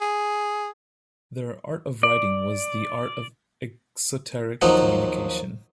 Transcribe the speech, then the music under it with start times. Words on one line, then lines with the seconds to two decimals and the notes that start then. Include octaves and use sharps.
Their "art of writing" was the art of "exoteric" communication.
0.01 G#4
2.03 D5
4.62 D#2 F3 F#3 D#4 F#5